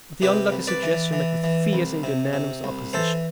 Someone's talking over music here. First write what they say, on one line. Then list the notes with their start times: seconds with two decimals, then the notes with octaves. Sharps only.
But the unlucky suggestion met with fierce and unanimous opposition.
0.22 C3 G4 B4
0.52 C2
0.67 B4 D5
0.83 E3
1.13 E3
1.44 E3
1.73 C2
2.03 C3
2.33 C3
2.64 C2
2.93 E3 A4 C5